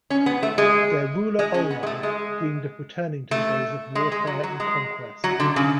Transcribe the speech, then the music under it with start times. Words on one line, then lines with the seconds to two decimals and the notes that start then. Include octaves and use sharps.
Their ruler Olnar dreamed of returning to the days of warfare and conquest.
0.10 C#4
0.26 B3
0.43 A3
0.58 G#3
1.39 G#3
1.54 C#4
1.71 B3
1.83 G#3
1.87 A3
2.03 G#3
3.31 A3
3.95 G#3
4.12 G#3
4.27 F#3
4.43 F#3
4.60 G#3
5.24 F#3
5.40 D3
5.56 C#3